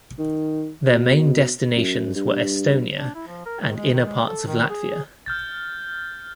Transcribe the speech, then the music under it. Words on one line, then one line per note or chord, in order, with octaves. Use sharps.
Their main destinations were Estonia and inner parts of Latvia.
D#3
B2
F#2
G2
D4
E4
F3
A#4
D#3
G#3
D#3
G#3
A4
D#3
G#4
F6 G6 A6